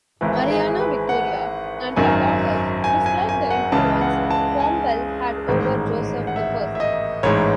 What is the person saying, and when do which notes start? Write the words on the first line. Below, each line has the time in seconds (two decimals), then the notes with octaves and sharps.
Mariana Victoria and her daughter disliked the influence Pombal had over Joseph the First.
0.21 G#1 G#2 E3
0.50 G#4
0.80 B4
1.09 F#5
1.96 G#1 F#2 D#3 G#5
2.84 G#5
3.06 G#5
3.29 G#5
3.51 F#5
3.72 C#2 C#3 E3 A5
4.01 F#5
4.31 A5
4.60 G#5
5.48 A1 G#2 D#3
6.27 F#5
6.36 E5
6.75 E5
6.80 D#5
7.23 A1 G#2 E3 C#5